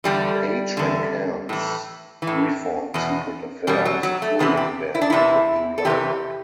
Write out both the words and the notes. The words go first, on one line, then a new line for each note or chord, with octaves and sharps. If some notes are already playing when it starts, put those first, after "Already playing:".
Page and Cairns reformed Secret Affair as a touring band with a new line-up.
E2 D3 G3
E2 D3
A2 E3
E3
A2
E2 B2
E2 B2 G3
F#3
F#3
A3
E2 C3 E3 B3
G4
E4
D4
E2 C3 E3 E4
A4
E2 C3 E3 G4